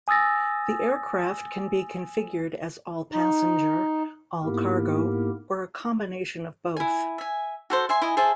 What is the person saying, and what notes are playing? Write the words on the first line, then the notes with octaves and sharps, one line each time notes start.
The aircraft can be configured as all-passenger, all-cargo or a combination of both.
G#5 D#6 E6 A6 A#6
D#4
G#2 A#3 B3 E4 G4 A#4
E4 G#5
E5 G#5
F#4 A4 C5
E5 G#5 C6
E4 D#5 G#5
G#4 C5 E5 A5